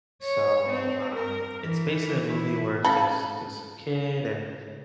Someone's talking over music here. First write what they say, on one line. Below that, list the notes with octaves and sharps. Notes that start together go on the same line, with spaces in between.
So, um, it's basically a movie where there's this kid and
C#5
C4
A#4
E3
E4
C#3 A4 B5